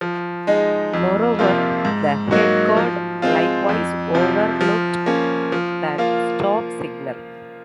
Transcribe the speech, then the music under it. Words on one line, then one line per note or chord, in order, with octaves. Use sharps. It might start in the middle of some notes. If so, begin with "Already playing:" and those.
Moreover, the head guard likewise overlooked that "stop" signal.
F3
G#3 D#4
F2
C3 F3 A#3 F4
G#2
F#3 A#3 D#4 F#4
F3
G#3 C4 F4
F2
C3 F3
F3
A#3 C#4
F3
A#3 F4